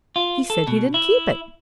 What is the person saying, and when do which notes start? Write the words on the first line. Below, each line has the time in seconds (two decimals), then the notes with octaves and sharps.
He said he didn't keep it.
0.16 F4
0.50 A4
0.68 B2
0.94 E4